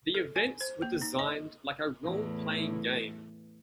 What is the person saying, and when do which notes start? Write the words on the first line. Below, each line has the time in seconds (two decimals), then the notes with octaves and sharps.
The events were designed like a role-playing game.
0.14 A4
0.36 G#5
0.61 C5
0.82 A#3
1.02 D#4
1.19 D#5
2.02 E2 A2